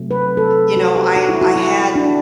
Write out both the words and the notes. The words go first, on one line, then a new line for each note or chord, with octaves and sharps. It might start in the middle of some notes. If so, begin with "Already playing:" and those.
you know, I I had
Already playing: C3 F#3 A3 C4
B4
A4
F#4
G4
F#4
E4
F#4
E4
D4